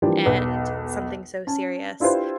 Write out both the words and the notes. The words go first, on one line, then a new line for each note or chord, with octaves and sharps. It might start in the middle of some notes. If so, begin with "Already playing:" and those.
and something so serious
E3 F3 G3 A#3 D4 G4
E1 B1 B4
C#4 A5
D4 E4 F4 G4 B4 C5